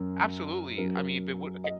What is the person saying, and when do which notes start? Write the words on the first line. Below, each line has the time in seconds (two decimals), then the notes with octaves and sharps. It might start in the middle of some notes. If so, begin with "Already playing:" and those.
Absolutely, I mean, but what okay.
Already playing: F#2 F#3 A#4
0.78 F#2 F#3 A#4
0.97 A#4
1.64 D#5